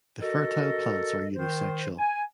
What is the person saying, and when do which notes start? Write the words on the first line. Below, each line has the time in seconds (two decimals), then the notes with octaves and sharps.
The fertile plants are unisexual.
0.20 F#4 A4 A#4 D#5
1.34 D#3 C5
1.97 G#5